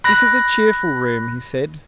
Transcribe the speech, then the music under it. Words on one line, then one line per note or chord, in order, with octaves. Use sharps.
"This is a cheerful room," he said.
B5 F#6 A#6